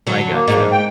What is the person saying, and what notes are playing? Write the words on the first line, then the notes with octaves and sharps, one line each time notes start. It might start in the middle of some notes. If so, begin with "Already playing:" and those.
I gotcha.
D3 F#3
A#3
G#2
G5